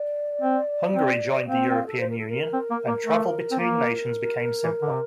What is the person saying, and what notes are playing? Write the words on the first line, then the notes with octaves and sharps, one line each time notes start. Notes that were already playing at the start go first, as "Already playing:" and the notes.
Hungary joined the European Union and travel between nations became simpler.
Already playing: D5
C4
C4
C4 F5
G5
F5
A4
C5
A#4
A4
A#4
C4
A#3
A#3
A3
C4
A#3 A#4
E3
D3
C3